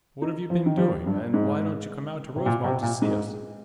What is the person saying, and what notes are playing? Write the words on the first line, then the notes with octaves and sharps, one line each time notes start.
What have you been doing, and why don't you come out to Rosemont to see us?
D#4
F3
D#3
F3
G2
G#2
C3
A#2
C3
A#2
G#2